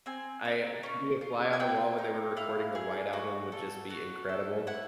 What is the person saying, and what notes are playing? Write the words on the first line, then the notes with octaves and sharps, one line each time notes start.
I to be a fly on the wall when they were recording the White Album would just be incredible.
C4 G#5
D#4
C#4
F4
G#5
C4 G5
D#4
E4 F5
G#4
F#4
A4
F#4
A4
E4 F#5